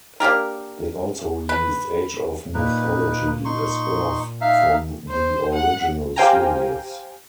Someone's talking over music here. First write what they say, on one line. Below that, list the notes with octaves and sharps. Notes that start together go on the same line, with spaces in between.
They also released "Age of Mythology", a spin-off from the original series.
A#3 D4 G4 A#4
B4
A#2 D#4 B4
D#4 C6 C#6
D#4 E5 F5
C5
F#5
G4 C5 F5 G5 G#5 A#5